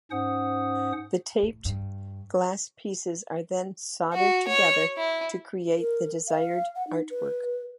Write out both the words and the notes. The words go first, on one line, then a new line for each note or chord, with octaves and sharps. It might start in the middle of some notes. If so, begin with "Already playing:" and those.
The taped glass pieces are then soldered together to create the desired artwork.
G#2 C#4 C5 F#5 D#6
A2
G2
F#4
C#5
E4
A#4
F5
F#5
D#4
B4